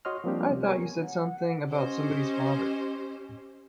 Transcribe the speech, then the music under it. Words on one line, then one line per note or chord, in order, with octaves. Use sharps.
I thought you said something about somebody's father.
F#4 C#5 D#5 C6 F6
F3 G3 A#3 C4 D4 G4
C3
B3 A#4 C#5 G#5
F#5
C#4 G4 C5 D#5